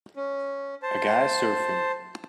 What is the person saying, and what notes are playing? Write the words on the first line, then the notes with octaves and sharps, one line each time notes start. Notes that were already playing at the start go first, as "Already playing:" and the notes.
A guy surfing.
C#4
C5 A5